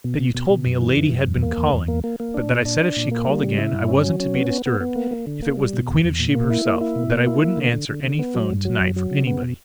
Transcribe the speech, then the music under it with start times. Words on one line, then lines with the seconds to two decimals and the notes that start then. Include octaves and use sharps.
That you told me a lady had been calling, but that I said if she called again I wasn't to be disturbed if it was the Queen of Sheba herself--that I wouldn't answer any 'phone to-night for anybody.
0.04 B2
0.19 B2
0.34 B2
0.50 B2
0.66 F#2
0.81 E3
0.96 F#2
1.11 F#2
1.27 E2
1.42 A#3
1.57 E2
1.73 E2
1.88 A#3
2.04 A#3
2.20 A#3
2.34 D4
2.50 A#2
2.65 D4
2.81 D4
2.96 A#2
3.11 A#3
3.27 G3
3.42 C#3
3.58 E4
3.73 G2
3.88 C#4
4.04 F#3
4.20 C#4
4.35 B3
4.50 B3
4.66 B3
4.81 B3
4.96 A#3
5.11 A#3
5.27 D3
5.42 A#3
5.57 G3
5.73 B2
5.88 E2
6.04 E2
6.19 A#2
6.35 A#3
6.50 E4
6.65 A#3
6.81 E4
6.96 B2
7.12 A#3
7.27 E4
7.43 A#3
7.57 D3
7.73 D3
7.89 D3
8.04 D3
8.19 B3
8.35 F#3
8.50 G2
8.65 F#3
8.81 F#2
8.96 F#3
9.11 C#3
9.27 B3
9.42 B2